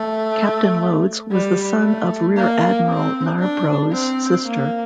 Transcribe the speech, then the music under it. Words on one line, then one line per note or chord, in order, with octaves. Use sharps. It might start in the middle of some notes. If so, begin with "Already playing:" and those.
Captain Loades was the son of Rear Admiral Narbrough's sister.
Already playing: A3
G3
A3
A#3
C4
D4
C4
A#3